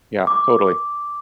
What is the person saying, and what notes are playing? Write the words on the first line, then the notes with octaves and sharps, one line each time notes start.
Yeah, totally.
D6